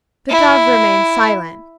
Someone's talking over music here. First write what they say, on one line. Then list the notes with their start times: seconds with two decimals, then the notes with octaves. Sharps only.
The Dove remained silent.
0.30 E4